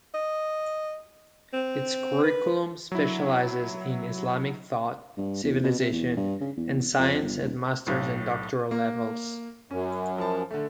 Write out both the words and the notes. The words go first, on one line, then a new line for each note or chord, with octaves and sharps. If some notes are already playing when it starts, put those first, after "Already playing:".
Its curriculum specialises in Islamic thought, civilisation and science at master's and doctoral levels.
D#5
C4
B4
F#3 E4
G2
E2
B2
C3
E2
G2
C#3
E2
F2
G1
D#1
B1 A2
A#3
F#2 C#4
F3 A5
D3 A3